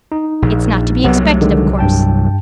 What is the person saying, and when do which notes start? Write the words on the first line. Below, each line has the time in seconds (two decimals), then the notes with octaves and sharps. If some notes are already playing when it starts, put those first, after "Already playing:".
It's not to be expected, of course.
0.12 D#4
0.42 A#1
1.04 C2 C3 F#3 B3
1.24 A3
1.41 D3 D#3 G#3
1.79 G2 G5 A5